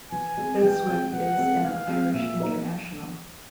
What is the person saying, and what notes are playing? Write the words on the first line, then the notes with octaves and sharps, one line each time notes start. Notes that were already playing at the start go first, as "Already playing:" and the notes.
Beswick is an Irish international.
E3 G#5
G#3 C4
E3 G5
G#3 C4
E3 F#5
G#3 C4
E3 F5
G#3 C4
A#2 E5
F#3 A#3 D#4